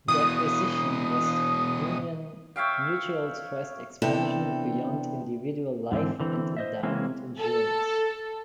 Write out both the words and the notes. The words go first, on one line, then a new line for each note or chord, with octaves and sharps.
The acquisition was Union Mutual's first expansion beyond individual life and endowment insurance.
B2 E3 D#6
C#5 E5 F5 G5
C3 E3 B3 D4 G4 A4
G#2 D3 E3 C4
D3 E3 C4
C5 D#5 E5
E3 G#3 A#3 C4 C#4 E4
A4